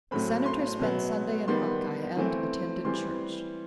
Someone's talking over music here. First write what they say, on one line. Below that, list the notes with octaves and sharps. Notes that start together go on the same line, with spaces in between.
The Senator spent Sunday in Hawkeye and attended church.
A2 F#3 A3 C4 B5
C6
B2 F#3 B3
D#3 G3 B3 C6
E3 A3 C4
E3 G3 C4 C6